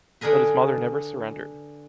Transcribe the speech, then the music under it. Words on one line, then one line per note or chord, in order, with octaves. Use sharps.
But his mother never surrendered.
D3 D4 G#4 A#4 B4